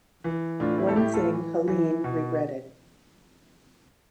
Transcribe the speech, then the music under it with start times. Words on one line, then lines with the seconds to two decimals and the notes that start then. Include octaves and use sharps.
One thing Helene regretted.
0.24 E3
0.60 A2 D4 F4
0.78 C4 E4
0.89 A4
0.96 A2 E4 G4
1.14 F4 A4
1.33 E3
1.68 E3
2.04 B2